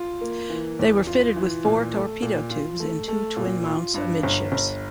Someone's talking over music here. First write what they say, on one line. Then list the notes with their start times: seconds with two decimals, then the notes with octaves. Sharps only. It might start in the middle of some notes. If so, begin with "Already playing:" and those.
They were fitted with four torpedo tubes in two twin mounts amidships.
Already playing: F4
0.21 A#3
0.50 E3
0.79 E2
1.07 F4
1.36 E3
1.65 A#2
1.93 A3
2.22 A#2
2.51 F4
2.80 A3
3.08 A3
3.37 A#2
3.65 F4
3.94 G2
4.23 G1
4.52 G1